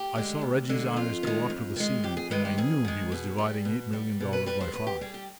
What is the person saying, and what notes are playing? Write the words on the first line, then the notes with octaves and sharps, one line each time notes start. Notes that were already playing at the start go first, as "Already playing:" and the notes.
I saw Reggie's eyes go up to the ceiling and I knew he was dividing eight million dollars by five.
Already playing: G4
D3 G#3
D2
D3 G#3
F2 F4
D#3 G#3
F2
D#3 G#3
F2 G4
G#4
D#3 G#3 B4
G4
F2 G#4
D#3 G#3
B2
G3
B2
G3
B2
B4
G3 B4
C5
B2 B4
G4
G3 G#4
G4